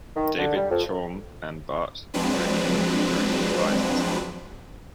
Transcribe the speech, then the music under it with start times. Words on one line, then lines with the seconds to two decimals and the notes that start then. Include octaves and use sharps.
David Chaum and Bart Preneel were his advisors.
0.16 D#3
0.38 D3
0.56 G3
0.71 F2
2.14 F3 F#3 G#3 C4 D4 B4